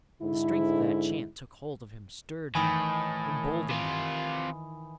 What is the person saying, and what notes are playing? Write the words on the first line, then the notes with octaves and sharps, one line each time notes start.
The strength of that chant took hold of him, stirred him, emboldened him.
G#2 D3 E4
A2 D#3 E3 G#5 B5 D#6
C3 F4